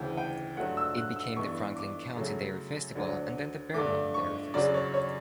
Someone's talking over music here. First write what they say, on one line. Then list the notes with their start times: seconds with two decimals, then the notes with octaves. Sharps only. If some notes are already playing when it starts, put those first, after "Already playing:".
It became the Franklin County Dairy Festival and then The Vermont Dairy Festival.
Already playing: D2 C#3 E3 G5
0.17 G5
0.57 G2 F#3 A3 F#5
0.77 E6
0.97 F#6
1.16 E6
1.36 G2 E3 B3 C#6
1.76 D6
2.16 F#2 C#3 F#3 A3
2.95 D2 D3 F#3
3.74 G2 D3 A3 D6
4.14 C#6
4.54 F#2 C#3 F#3 D5
4.74 C#5
4.94 C#5